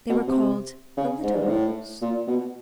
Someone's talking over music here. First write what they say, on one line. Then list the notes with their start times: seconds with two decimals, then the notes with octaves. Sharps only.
They were called "The Little Rooms."
0.09 B2
0.27 C3
0.97 C#3
1.23 G#2
1.34 G2
1.42 G#2
1.49 A2
2.01 A#2
2.27 B2